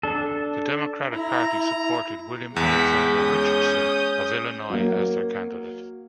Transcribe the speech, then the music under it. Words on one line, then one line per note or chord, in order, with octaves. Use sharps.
The Democratic Party supported William Alexander Richardson of Illinois as their candidate.
D4 A4
E4 A#5
E2 G#3 F#5 G5 B6
C#4 D#6 G6
F#3 A#3